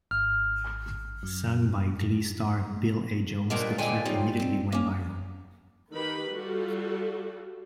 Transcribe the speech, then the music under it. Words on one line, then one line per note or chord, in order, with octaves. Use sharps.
Sung by "Glee" star Bill A. Jones the clip immediately went viral.
G#1 F6
F#2
A#2 G3 G#3 B3 D4 A#4
A#2 D3 G#3 G5 G#5
F#3 G3 D#4 F4
C4
A#3 C#4
D#3 G4 B4 B5
G3 F4 F#4 A4